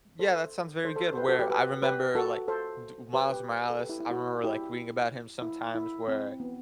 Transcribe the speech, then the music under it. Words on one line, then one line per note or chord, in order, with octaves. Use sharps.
Y yeah, that sounds very good where I remember, like, d Miles Morales, I remember, like, reading about him sometimes where
A4 C5
A4 C5
A4 C5
C5
G4 B4
F#4 A4
G4 B4
G4 B4
G4 B4
F#4 A4
A4 C5
G4 B4
G4 B4
A4
G4 B4
E4 G4
E4
F#4
E4 G4
E4
E4
C4
B3